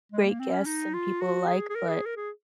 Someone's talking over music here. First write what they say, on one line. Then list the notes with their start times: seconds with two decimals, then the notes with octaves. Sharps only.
great guests and people alike, but
0.12 G#3
0.25 A#3
0.39 C4
0.52 C#4
0.66 D#4
0.93 F4
1.20 F#4
1.48 G#4
1.70 G#4
1.75 A#4
1.89 G#4
2.06 A#4
2.16 G#4